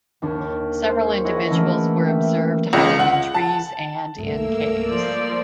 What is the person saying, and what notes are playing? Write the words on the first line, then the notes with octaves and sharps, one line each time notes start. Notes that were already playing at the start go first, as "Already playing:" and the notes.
Several individuals were observed hiding in trees and in caves.
D#2 D4 C#5
C5
G#4 C#5
E4 G#4 C#5 D#5 F#5
E3 A3 A#3 C#4 D4 E4
G4 E5
C#2
F#5
A5
C2 G2 A3 A#3 A#4 E6
G1 F3 D5